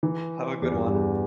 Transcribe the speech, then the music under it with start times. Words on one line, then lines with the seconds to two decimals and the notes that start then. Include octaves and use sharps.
Have a good one.
0.03 E3
0.62 E2
0.71 G2
0.87 G2
0.95 E2